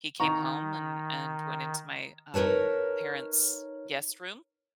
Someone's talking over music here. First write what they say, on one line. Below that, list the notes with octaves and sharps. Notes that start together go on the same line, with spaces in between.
he came home and and went into my, um, parents' guest room,
D#3 D#4 A#5 C#6
D#4 A#4 B4 C#5 A5